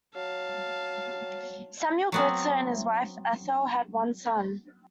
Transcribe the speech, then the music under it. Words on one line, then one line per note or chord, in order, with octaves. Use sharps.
Samuel Greitzer and his wife Ethel had one son.
F#3 F5 A5
F#3 B3 C4